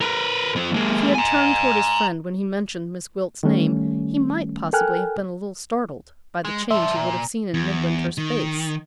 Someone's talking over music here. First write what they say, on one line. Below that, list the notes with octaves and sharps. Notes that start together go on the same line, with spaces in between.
If he had turned toward his friend when he mentioned Miss Gwilt's name he might possibly have been a little startled by the change he would have seen in Midwinter's face.
A#4 B4
F3 C4
G#3 A#3
G#5 A#5
D#3 G3 A3 C#4
A4 A#4 G5 G#5 F6 F#6
G#3
G2 F3 E5
A#2
E2
D#3